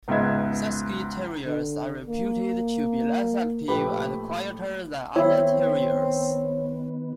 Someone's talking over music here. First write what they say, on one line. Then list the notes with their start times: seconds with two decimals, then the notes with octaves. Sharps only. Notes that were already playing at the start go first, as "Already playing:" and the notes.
Cesky Terriers are reputed to be less active and quieter than other terriers.
0.08 C#2 G#2 B3 D#5 E5 G#6
1.45 D3
2.07 A#3
3.68 A#1 A3 G4 B4 B5
5.16 D#3 B3 C4 E4 C#5